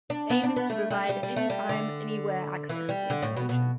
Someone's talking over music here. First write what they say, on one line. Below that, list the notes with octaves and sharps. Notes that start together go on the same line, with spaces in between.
Its aim is to provide "Anytime, Anywhere access" to information.
D4
B3
D4
B3
A3
G3
G3
G3
A3
G3
D3
E3
G3
D3
A2
B2
B2